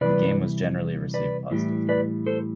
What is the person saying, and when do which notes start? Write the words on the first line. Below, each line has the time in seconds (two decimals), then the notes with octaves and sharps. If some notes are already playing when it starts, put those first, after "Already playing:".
The game was generally received positively.
0.01 C3 E3 G3 B4 D5
1.14 B4 D5
1.51 A2 E3 G3
1.89 B4 D5
2.26 A4 C5